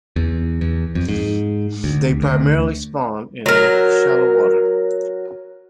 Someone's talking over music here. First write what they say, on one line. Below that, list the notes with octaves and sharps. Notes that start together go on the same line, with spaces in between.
They primarily spawn in shallow water.
E2
E2
F2
G#2
D2
D2
F#3 A#4